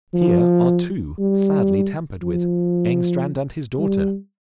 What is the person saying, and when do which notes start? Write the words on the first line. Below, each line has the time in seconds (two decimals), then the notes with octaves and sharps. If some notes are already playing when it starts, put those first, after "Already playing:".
Here are two, sadly tampered with: Engstrand and his daughter.
0.14 F3
1.19 G3
2.22 F3
3.79 G3